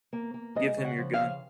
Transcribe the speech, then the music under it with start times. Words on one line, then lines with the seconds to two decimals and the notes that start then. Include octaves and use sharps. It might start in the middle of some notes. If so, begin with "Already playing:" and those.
Give him your gun.
0.13 A#3
0.34 A#3
0.55 G#3 D#5
0.77 C#3
0.84 F#5
0.98 F3
1.14 F5
1.20 C#3